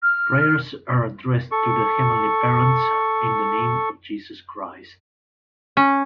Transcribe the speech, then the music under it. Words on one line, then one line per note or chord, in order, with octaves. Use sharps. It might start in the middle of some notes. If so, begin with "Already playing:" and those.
Prayers are addressed to the "Heavenly Parents" in the name of Jesus Christ.
F6
A4 C#6
C#4